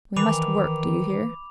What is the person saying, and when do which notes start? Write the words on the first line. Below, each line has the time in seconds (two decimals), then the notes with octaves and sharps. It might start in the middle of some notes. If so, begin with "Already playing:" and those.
We must work, do you hear?
0.16 D#3 E3 B5 D6 F7